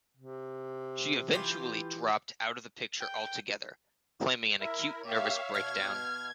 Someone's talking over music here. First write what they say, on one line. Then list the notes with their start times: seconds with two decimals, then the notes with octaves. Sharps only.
She eventually dropped out of the picture altogether, claiming an acute nervous breakdown.
0.17 C3
1.33 E3 F4 G4
3.01 G5
4.60 E4 A#4 E5
5.04 A#3 G4 C#5 E5 F5
5.53 B2 F6 G#6